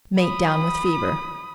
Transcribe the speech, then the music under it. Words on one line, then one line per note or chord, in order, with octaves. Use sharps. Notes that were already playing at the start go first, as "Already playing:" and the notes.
Mate down with fever.
B5 D#6